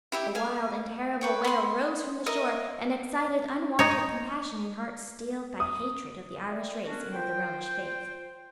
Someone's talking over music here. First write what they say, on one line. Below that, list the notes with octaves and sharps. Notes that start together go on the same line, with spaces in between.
A wild and terrible wail rose from the shore, and excited unwonted compassion in hearts steeled by hatred of the Irish race and of the Romish faith.
E4 G4 E5
F5 G#5
B4 C#5 G5
B5 C6
A#4 D#5 E5
D#4 C#5
D#6
D5 E5 G5
B3 C#4 D4 F#4 A4 A#4
F4 C5 G5